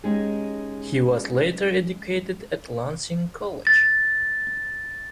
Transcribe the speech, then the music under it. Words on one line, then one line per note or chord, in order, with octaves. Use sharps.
He was later educated at Lancing College.
G#3 C#4 D#4 G4 G#4
A6